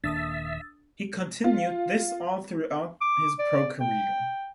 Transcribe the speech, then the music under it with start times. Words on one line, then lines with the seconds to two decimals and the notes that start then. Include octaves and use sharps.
He continued this all throughout his pro career.
0.04 D#1 D#3 A#3 D4 E5 D#6 E6 A6
1.44 F4
3.01 D6
3.39 D5
3.81 G5